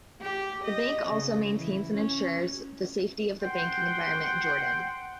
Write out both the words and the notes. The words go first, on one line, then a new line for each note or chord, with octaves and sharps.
The bank also maintains and insures the safety of the banking environment in Jordan.
G4
D#5
C#3
E3
C#4
C5 F#5 G5 C6